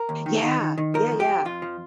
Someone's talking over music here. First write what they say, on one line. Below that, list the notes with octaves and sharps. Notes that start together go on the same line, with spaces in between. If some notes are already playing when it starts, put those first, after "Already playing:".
Yeah! Yeah, yeah.
Already playing: A#4
D#2
D#3
D#3
D#3
D#3
F3 A#4
F2
G4
F2
F2 F4
F3